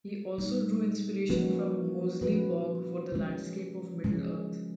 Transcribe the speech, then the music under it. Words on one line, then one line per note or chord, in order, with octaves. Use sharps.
He also drew inspiration from Moseley Bog for the landscape of Middle-earth.
G3 A#3 D#4
F3 A#3 C#4 F#4 B4
F3 A#3 C#4 F#4 B4
C#3 F3 G#3 C#4
C#3 F3 G#3 C#4